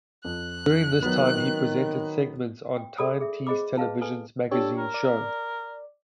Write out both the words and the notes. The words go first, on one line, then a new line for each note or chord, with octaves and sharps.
During this time he also presented segments on Tyne Tees Television's magazine show.
F2 F#6
D#3 F#3 B3
G5
G#4 A4 D5 B5 D#6
G#4 E5
G#4 C5 D#5 B5 D6
G#4 B4 D#5 F5 A5
A4 B4 G#5
D4 G4 A4 C#5
A#4
D5